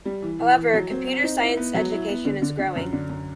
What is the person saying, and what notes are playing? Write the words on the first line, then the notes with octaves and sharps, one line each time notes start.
However, computer science education is growing.
G3
E3
E3
E3
F#3
C4
C4
D#4
E4
B3
F#3
E4
B3
D3
D3
D3
F#2
D3
F#2